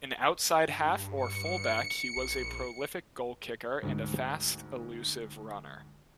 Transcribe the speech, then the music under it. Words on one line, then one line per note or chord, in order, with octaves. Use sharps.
An outside-half or full-back, he was a prolific goal-kicker and a fast elusive runner.
G2
C#7
A#1
D2 G#2